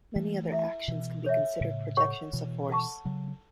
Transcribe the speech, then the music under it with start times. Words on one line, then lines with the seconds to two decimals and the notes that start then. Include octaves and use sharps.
Many other actions can be considered projections of force.
0.16 E3 A3
0.52 E4 A4 E5
0.88 B2 E3
1.25 A4 C#5 E5
1.61 A2 C#3
1.97 A4 C#5 F#5 C#6
2.33 B2 E3
2.69 A4 F#5 A5 C#6
3.05 C#3 F#3